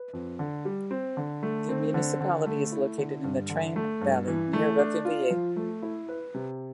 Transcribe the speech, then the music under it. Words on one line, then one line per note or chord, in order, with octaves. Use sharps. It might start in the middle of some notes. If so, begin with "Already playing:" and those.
The municipality is located in the Trame valley near Reconvilier.
Already playing: B4
F2
D3
G3
C4
D3
A3
C4
D3
D3
A3
E4
D3
G2
D3
A3
G2
E3
A3
D4
F4
F3
A3
E4
B4
C3